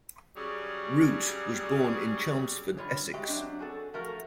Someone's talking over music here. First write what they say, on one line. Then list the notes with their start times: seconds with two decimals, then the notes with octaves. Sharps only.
Root was born in Chelmsford, Essex.
0.36 C#3 F#3 G3 G#4
2.77 D3 G3 F4 C#5
3.13 G#3 F#4 G4 E5
3.28 F#3 C4 D4
3.59 F#4 G#4 A4
3.94 F3 A3 F#4 A#4